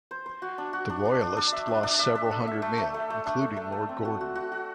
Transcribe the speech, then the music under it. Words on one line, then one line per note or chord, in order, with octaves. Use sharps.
The Royalists lost several hundred men, including Lord Gordon.
C5
C5
F#4
D4
F#4
D4
D4
D4
D4
E5
D4
D4
E5
D4
A4
E5
A3
A3
A3
A3
D4
A3
A3
A3
C4
F#4
F#4
F#4
F#4